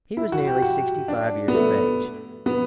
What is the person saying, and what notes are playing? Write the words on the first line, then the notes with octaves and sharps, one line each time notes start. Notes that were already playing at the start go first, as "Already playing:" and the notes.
He was nearly sixty-five years of age.
E4
F#4
G4
F#4
D4
B3
A3
B3